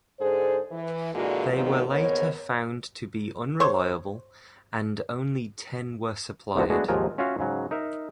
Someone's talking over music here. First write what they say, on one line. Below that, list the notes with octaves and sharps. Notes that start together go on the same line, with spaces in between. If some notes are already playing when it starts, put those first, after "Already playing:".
They were later found to be unreliable, and only ten were supplied.
G#2 D3 G#4 A4 C5
E3
A#2 D3 E3 G#3 A#3 F#4
D#3 F3 F#3 G#3 A#3 B3
D#2 G#2 B3 A#4 C#5
C5 C#5
C2 A2 D3 F3 B3 F#4
G#3 A3 B3 D4 F#4 G#4
D#2 G#2 F3 F#3 A#4 G#5
C#4 F4 F#4 C#5 E5 F5
G#2 C#3 F#3
D#4 A#4 E5